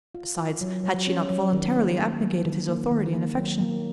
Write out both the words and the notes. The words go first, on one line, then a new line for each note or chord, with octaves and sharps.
Besides, had she not voluntarily abnegated his authority and affection?
F4
F4
F#3
F#3
C#4
F#3
D#3
A#3
A#3
F#3
D#3
A#3
D#3
A#3
F#3
A#3